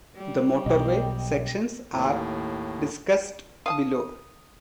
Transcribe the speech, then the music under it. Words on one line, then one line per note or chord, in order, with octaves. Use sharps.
The motorway sections are discussed below.
G3
B1 B2 D#5 G5
D#2 A2
F5 G5 A5 D#6